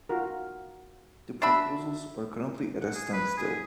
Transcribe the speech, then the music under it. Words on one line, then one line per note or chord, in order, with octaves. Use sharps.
The proposals are currently at a standstill.
F4 F#4 A#4
D4 F#4 E5 B5
F#5
G#4
B4
G#4